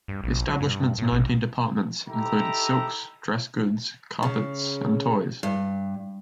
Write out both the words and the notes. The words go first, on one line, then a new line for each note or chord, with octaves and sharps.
The establishment's nineteen departments included silks, dress goods, carpets, and toys.
G2
A#1
F#3
G2
A2
A1
D#4 E4 G4 A4 A#5
C#3
G2